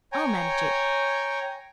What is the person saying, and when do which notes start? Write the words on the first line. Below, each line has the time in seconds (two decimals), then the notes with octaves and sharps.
I'll manage it.
0.12 C#5 G5 G#5 A#5